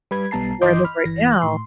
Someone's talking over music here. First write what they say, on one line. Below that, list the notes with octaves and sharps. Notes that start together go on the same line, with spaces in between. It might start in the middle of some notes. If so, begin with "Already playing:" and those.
Where I live right now,
G3 B4 B5 G#6
B1 G3 B3 A5 A#5 C7
G1 E3 D#5 C6 D6 G6
B5 F6
G1 E3 A#6
A2 C6